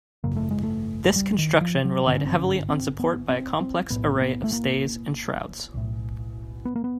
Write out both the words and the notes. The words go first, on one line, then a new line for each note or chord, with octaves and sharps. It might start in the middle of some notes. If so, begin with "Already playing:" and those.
This construction relied heavily on support by a complex array of stays and shrouds.
G#1 F#2 C#3 A#3
A3
G#3
A3
G3
D#3
F3
F#3
G#1 G2 D3 C4
C#4
C4
C#4
C4
B3
C4
C4
B1 A2 B3
C4
B3
A3
A#3
B1 A2
B3
A#3
B3